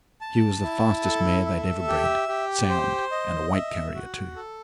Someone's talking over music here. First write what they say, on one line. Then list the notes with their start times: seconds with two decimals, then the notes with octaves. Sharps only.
She was the fastest mare they'd ever bred--sound, and a weight-carrier too.
0.21 A5
0.62 E4
1.04 A4
1.46 E5
1.87 G4
2.28 G4
2.69 C5
3.11 D#5
3.53 E5
3.95 F#4
4.36 A4